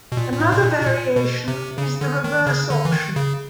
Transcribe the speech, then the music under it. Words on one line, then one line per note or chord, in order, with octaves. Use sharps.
Another variation is the "reverse option".
B2
A#2
A#2
A2
B2
A#2
B2
A#2
B2
C3
C#3
D3
D#3
C#3
D3
E3
D#3
C#3